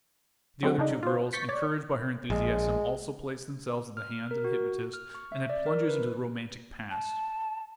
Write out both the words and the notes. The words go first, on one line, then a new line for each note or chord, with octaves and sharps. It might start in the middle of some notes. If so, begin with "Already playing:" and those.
The other two girls, encouraged by her enthusiasm, also placed themselves in the hands of the hypnotist and had plunges into the romantic past.
F#3 G#3 C4 F#4
C#3 D4 D#4
F4 C5
C#6 G6 A6 B6 C#7
C#5 D5
A#1 G#3
F6
A#4
F#4
F6
C#6
E5
D5
A#4
B4
A5